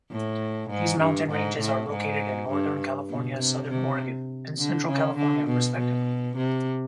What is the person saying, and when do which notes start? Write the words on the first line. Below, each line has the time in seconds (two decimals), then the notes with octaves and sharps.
These mountain ranges are located in northern California-southern Oregon, and central California respectively.
0.11 A2
0.70 G#2
1.01 G2
1.30 G#2
1.60 A2
1.90 G#2
2.50 G2
3.10 B2
3.39 C3
3.69 C3
4.58 D3
4.88 C#3
5.17 D3
5.48 B2
5.78 B2
6.37 C3